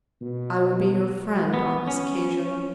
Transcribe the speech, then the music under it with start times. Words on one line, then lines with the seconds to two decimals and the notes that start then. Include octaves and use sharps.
I will be your friend on this occasion.
0.21 B2
1.54 B3
1.87 C#4